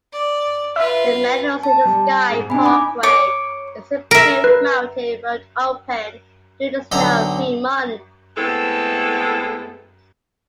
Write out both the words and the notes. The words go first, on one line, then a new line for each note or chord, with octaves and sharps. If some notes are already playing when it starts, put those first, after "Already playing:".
The Meadows-in-the-Sky Parkway is a paved mountain road open during the snow free months.
D5
F4 B4 E5
A5
G3
G#2 G#4
C3 D4 G#5 B5
D#4 D6
C#5 D6
A#4 E5 D7
B4
B1 D3 A4 D#5 A#5
G#3 A3 B3 C4 E4 A4